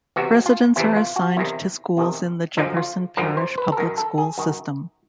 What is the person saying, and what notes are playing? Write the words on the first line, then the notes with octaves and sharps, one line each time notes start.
Residents are assigned to schools in the Jefferson Parish Public Schools system.
E2 C3 E3 F#4
F4
E2 C3 E3 E4
F4
F#4
E2 C3 D#3 E4
E2 C3 D#3
F#2 D3 F3 D#4
F4
F#2 D3 F3 A#4
C5
B4
A4
F#2 D#3 A#4
A4
G#4
F#2 D#3